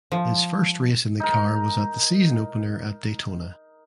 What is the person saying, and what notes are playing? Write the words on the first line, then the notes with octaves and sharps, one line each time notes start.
His first race in the car was at the season opener at Daytona.
F3
D#4 A#4